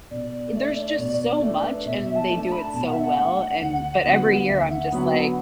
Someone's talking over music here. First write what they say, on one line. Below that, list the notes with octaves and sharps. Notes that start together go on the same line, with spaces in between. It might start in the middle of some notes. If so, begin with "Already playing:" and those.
there's just so much, and they do it so well, and but every year, I'm just like,
B2 D5
A3 D4
B2
A3 D4
B4
D5
B2 E5
A5
A3 D4
A5
B5
A5
B2 A5
F#5
E5
F#5
A3 D4
D2
D3 F#3 B3
F#5
D2 E5
F#5
D3 F#3 B3 B5
A5
F#5